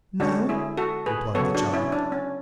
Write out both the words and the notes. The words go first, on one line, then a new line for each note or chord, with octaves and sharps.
"No," replied the child.
D3 G#3 C#4 D4 F#4
E4 G#4
F#4 A4
G#4 B4
C#3 F#3 B3 A4 C#5
D4 F#4
C#4 E4
D4
C#4